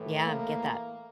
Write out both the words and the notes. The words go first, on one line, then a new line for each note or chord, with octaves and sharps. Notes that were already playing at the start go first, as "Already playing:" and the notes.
Yeah, get that.
Already playing: A2 E3 A3
A#3